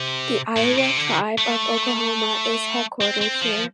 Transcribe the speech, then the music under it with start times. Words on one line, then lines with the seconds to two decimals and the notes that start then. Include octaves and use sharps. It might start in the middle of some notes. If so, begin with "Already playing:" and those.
The Iowa Tribe of Oklahoma is headquartered here.
Already playing: C3
0.56 A2
0.77 C3
0.98 D3
1.38 A3
3.01 C4
3.21 C4
3.41 F3